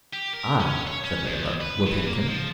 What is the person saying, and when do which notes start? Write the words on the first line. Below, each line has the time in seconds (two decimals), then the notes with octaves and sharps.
"I," said Layelah, "will take him."
0.13 G4
0.33 A#4
0.60 C#4
0.87 C#5
1.04 C#4
1.25 E2
1.61 B4
1.86 E3
2.05 A#3
2.28 F3